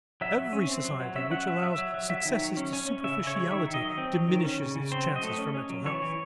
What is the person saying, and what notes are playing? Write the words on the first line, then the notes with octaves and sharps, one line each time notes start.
Every society which allows successes to superficiality diminishes its chances for mental health.
F#3 E5
F#3
C#4
C4
F#3
F#3
C#4 E5
F#3 F#5
F#3 E5
F#3 E5
F#3
F#3
F#3 E5
D#3
F#3
C#4
C#4
C#4
C#3 E5
C#3
C#5
G#3
D#3 E5
D#3
D#5
F#3
C4
F#3
D#3
C#4
C#3
C#3
C4 C5
F#3
D#5
A3
C#4
C#4
F#3
E3 C#5
E3